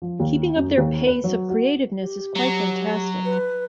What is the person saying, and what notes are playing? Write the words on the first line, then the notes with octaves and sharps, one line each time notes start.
Keeping up their pace of creativeness is quite fantastic.
F3
D#2
F#2
D#2
B4
F#3
F#4
G4
F#3
B4